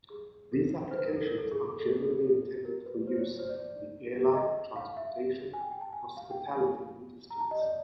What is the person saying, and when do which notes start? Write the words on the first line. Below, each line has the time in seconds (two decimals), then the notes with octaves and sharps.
These applications are generally intended for use in the airline, transportation, and hospitality industries.
0.10 G#4
0.52 A4
0.91 C5
0.96 B4
1.05 A#4
1.16 A4
1.27 A#4
1.38 A4
1.52 G#4
1.65 A4
1.79 A4
1.92 G#4
2.04 A4
2.65 A#4
2.86 B4
3.07 C5
3.18 C#5
3.39 C5
3.49 D5
4.34 D#5
4.76 F5
4.97 E5
5.53 G#5
5.61 G5
5.72 G5
5.81 A5
5.93 G#5
6.17 F5
6.31 G5
6.46 G#5
7.30 A#5
7.40 A5
7.51 D#5
7.61 D5